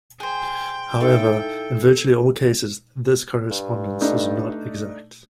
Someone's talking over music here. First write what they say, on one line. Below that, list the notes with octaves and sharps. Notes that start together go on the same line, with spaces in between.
However, in virtually all cases, this correspondence is not exact.
G#4 C5 G5
D#4 E4 A4 F5
G2
A3 D4 D#4